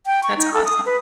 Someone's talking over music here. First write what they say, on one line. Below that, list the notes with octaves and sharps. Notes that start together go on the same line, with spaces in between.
that's awesome.
G5
C#6
D#4
A4
D#6
B4